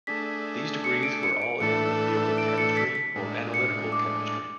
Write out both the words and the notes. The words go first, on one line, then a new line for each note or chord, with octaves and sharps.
These degrees were all in the field of chemistry or analytical chemistry.
A3 D4 G#4 B6
C#7
D7
C#7
D7
A2 E3 A3 D4 A4 C#7
D7
C#7
B6
B6
A2 G#3 D4
C#7
D6